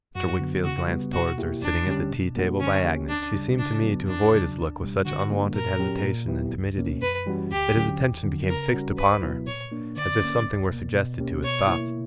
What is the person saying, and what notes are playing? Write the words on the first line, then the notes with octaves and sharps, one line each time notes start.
As Mr. Wickfield glanced towards her, sitting at the tea table by Agnes, she seemed to me to avoid his look with such unwonted hesitation and timidity, that his attention became fixed upon her, as if something were suggested to his thoughts.
F#2 F#4
D3 F#3 B3
C#3 F#4
G3 B3
B2 F#4
A#3 E4 G4
E2 D4
D3 G3 C#4 G4
B2
G3 A#3 D4 F#4
D3 C#4
A#3 C#4 G4
D2 D4
C#3 G3
C#3 D4
F#3 B3
E2 D4
C#3 F#3
C#2
B2 G3
D3 F#4
G3 A#3 D4
A#2 A#4
F#3 C#4 G4
A#2
F#3 B3 E4 G4
C#2
B2 A#3 C#4
F#2 B4
E3 G3 C#4 F#4
D2 G4
D3 F#3 C#4
E2
D3 F#3
C#3 A#4
G3 C#4 F#4
C#2 B4
B2 F#3 B3 E4
A#2 C#5
A#3 D4
D3 D5
A#3 C#4
C#2
B2 A#3
B2
A#3 C#4 G4
B2 C#5
A#3 E4